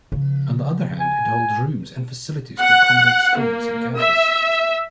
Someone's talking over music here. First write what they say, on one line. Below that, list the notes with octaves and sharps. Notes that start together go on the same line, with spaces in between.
On the other hand it holds rooms and facilities to accommodate students in campus.
C#3 F3
G#5
F#5
A#3
E5